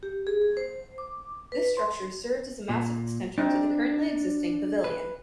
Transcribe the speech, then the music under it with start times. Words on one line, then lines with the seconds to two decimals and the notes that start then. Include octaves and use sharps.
This structure served as a massive extension to the currently existing Pavilion.
0.03 G4
0.27 G#4
0.57 C5
0.98 D6
1.52 B4
1.77 C6
2.69 A#2
3.38 C4 D4 D#4
4.84 B4